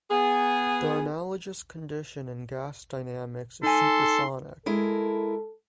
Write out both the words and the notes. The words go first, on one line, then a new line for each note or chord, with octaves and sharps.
The analogous condition in gas dynamics is supersonic.
B3 G#4
D#4 A4 G#5 C6
G#3 E4 A4 A#4